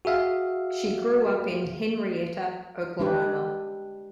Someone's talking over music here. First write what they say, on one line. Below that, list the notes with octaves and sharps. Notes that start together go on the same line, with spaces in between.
She grew up in Henryetta, Oklahoma.
F#4 G#4 E5 F5
G#3 D4 G4 B4